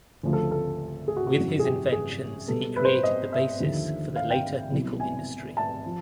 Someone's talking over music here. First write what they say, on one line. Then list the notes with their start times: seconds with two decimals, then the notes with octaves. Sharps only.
With his inventions he created the basis for the later nickel industry.
0.23 D2 C#3 F3 A3
0.33 A4
0.51 A4
1.08 G#4
1.17 F#4
1.27 F#4
1.36 F#2 C#3 E3
1.59 G#4
1.64 G4
1.92 G#4
2.47 B2 G3 B3 A4
2.76 B4
2.85 C5
2.94 B4
3.03 D#5
3.32 E5
3.60 D#2 D3 F3
4.16 F5
4.30 G5
4.72 C2 B2 F#3
5.00 G#5
5.57 A5
5.86 F3